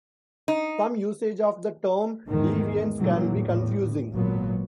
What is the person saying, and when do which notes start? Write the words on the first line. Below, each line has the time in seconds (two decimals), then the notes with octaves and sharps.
Some usage of the term "deviance" can be confusing.
0.48 D#4
2.27 E2 G#2 D#3 G#3
2.98 A#2 D3 E3 F#3 G3
3.32 E2 A2
4.11 G#1 A#2 F#3 B3